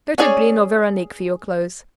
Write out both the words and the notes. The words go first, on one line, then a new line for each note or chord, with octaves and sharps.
Go to Blin or Veronique for your clothes.
C#4 D4 G#4 C#5 D5